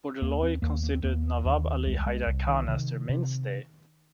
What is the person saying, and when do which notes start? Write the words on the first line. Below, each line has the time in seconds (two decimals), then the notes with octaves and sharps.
Bordoloi considered Nawab Ali Haider Khan as their mainstay.
0.22 D#2 A#3
0.43 C4
0.62 D#2 A#3
0.83 A#3
0.95 C4
1.03 D#2 A#3
1.45 D#2
1.86 C2 G#3
2.06 G#3
2.27 C2
2.47 D#3
2.68 C3 D#3
3.09 C3